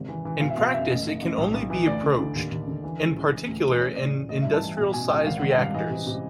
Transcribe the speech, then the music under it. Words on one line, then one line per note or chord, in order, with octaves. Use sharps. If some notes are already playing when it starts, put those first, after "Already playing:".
In practice it can only be approached, in particular in industrial size reactors.
Already playing: G#1 C3
E3
E3
B2 F5
E5
B2 F5
F#1 E5
A1 D#5
A1
A1
B1
B1
E3
D2 D5
D3
D3
D#2
D#2
D3
E3
C#2
C#2
E3
D2
E3
A1 C#5
A2 D5
A1
A1 D#5
E5
G2
A5
E3
B2 G#5
B2 G#5
C#2 G5
G#1 F5
F#5
G#1
G5
G2 F5
E3 D#5
C3
C3